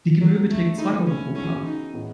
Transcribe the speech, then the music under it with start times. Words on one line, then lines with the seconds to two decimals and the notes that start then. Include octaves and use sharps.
Die Gebühr beträgt zwei Euro pro Paar.
0.20 F#3 G#3 C#4 F#4 A4
0.50 A3
0.78 E3 A3 D#4 E4 G#4
1.07 C#4
1.35 C#3 E3 B3 C#4 F#4 A4
1.64 D#4
1.93 A2 E3 B3 D#4 G#4